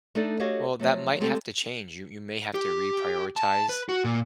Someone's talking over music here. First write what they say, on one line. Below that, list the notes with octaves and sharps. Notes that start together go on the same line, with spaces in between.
Well, that might have to change. You you may have to reprioritize
A3 D4 D#4 A4 D5
F#4 G4 A4 C#5 D#5 F5
F3 F#3 A3
G#3 A3 C4 G4 A4
G4
A5
B4
F#4
A#2